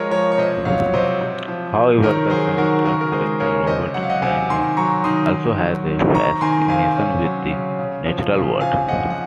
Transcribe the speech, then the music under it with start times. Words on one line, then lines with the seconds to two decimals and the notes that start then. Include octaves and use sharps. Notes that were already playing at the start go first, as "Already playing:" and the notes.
However, the central character, Robert Shannon, also has a fascination with the natural world.
Already playing: F3 G#3 A#4 C#5 D#5
0.11 F3 A#4 C#5
0.32 C#5
0.38 C3 C5 D#5
0.65 F#3 C#5 F5
0.94 C3 C5 D#5
1.21 C3
1.48 F3
1.76 C3
2.03 D#3 A#4 C#5
2.30 F#3 G#4 C5
2.57 D#3 F#4 A#4
2.85 C#3 F#4 A#4
3.01 A#4
3.12 G#3 G#4 C5
3.40 C#3 A#4 C#5
3.67 C3 C5 D#5
3.94 F#3 F#5
4.03 F5
4.10 D#5 F#5
4.22 C3 F5 G#5
4.49 D#3 G#5 C6
4.77 F#3 A#5 C#6
5.04 D#3 C6 D#6
5.31 D#3
5.59 F#3
5.86 D#3
6.14 C3 A#5 C#6
6.41 D#3 G#5 C6
6.68 C3 F5 G#5
6.96 C#4
7.24 F#3
7.51 C#3
7.79 C#3
8.06 F3
8.34 C#3
8.61 C3 F5 G#5
8.88 F3 D#5 F#5
9.10 F#5